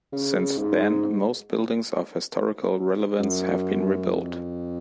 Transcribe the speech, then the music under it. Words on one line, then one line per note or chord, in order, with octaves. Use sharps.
Since then, most buildings of historical relevance have been rebuilt.
C#3
G#2
F#2
F2